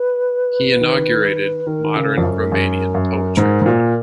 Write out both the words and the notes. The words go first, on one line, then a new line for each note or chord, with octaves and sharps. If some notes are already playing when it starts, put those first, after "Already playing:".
He inaugurated modern Romanian poetry.
Already playing: B4
D#3
D#3 A#4
D#3
C#3
F2
F#2
F#2
F#2
G#2 A#4 C5
G#2
A#2